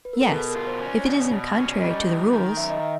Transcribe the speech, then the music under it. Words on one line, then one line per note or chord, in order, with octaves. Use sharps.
"Yes, if it isn't contrary to the rules."
B4
A#4
A4
B2 G#4
A#4
F4
C5
C#4
D5
C#5
B2
D5
B2
C#4
D5
G3 D#5
D#3
D#3
F#2 E5
D#5
E5